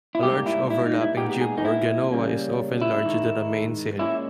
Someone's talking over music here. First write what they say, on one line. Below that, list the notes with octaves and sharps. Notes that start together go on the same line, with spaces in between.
A large overlapping jib or genoa is often larger than the mainsail.
E4
G#2 G3 A#3 G4
E4
E4
D#4
E4
A#2 G#3 B3 D#4 G4
G4
G#4
D#4
E4
C#3 G3 A#3 C#4
E4
G#2 D#3 G#3 D#4
A#2 G#3 C#4 E4